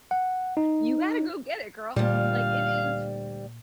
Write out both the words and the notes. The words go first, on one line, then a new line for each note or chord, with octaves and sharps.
you gotta go get it, girl, like, it is
F#5
D#4
D2 A#2 G3 F5